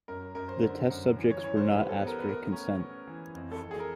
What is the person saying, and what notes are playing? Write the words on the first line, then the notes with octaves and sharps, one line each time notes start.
The test subjects were not asked for consent.
F#2 A#4
F#2 A#4
C5
D3
F#2
E3
C#5
E3 C#5
C5
G3 B4
A4
B3
A#4
B4
A3 A#4
C#4
C#4
E3
F2
A4
F2
G#4
A#4